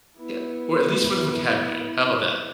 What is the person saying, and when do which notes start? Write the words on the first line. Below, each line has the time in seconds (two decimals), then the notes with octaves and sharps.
Yeah, or at least for the vocabulary how about that?
0.16 B3 E4